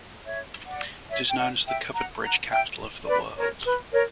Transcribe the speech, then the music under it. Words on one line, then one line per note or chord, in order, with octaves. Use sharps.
It is known as "The Covered Bridge Capital of the World".
C#5 E5
D5 F#5
C#5 E5
G5
D5 F#5
E5 G5
F#5 A#5
F#5 A#5
E5 G5
B4 D5
A#4 C#5
B4
A#4 C#5